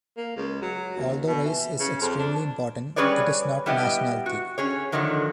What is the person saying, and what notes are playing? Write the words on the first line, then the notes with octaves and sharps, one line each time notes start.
Although race is extremely important, it is not nationality.
A#3
C#2
F#3
D#2
B2
E3
C#3
F2
D4
G3 C#4 G#4 B4 C#5 D5
G3 B3 E4 G4 D#5
F#4
C#4 G#4 C#5
A2 D3 D#3 F3 F#3